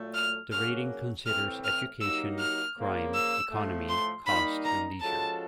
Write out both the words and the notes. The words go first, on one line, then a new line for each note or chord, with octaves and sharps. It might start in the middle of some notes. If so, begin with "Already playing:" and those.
The rating considers education, crime, economy, cost and leisure.
Already playing: A#2 F#3 A3
F6
C#3 F#3 A#3 C#4 F#4 F6
A2 E3 A3 C4 F6
F6
F#3 A#3 D#4 G4 E6
F6
C#3 F3 A#3
E6
A2 F3 A3
C6
G3 A#3 D#4 B5
A#5
F3 G#3 C#4 F#4 A4 A5